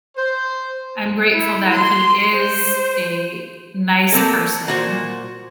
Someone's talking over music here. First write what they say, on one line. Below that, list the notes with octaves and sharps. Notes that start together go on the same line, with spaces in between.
I'm grateful that he is a nice person,
C5
E4
C6
C5
A3 A#3 C4 A4
A#2 F#4 C5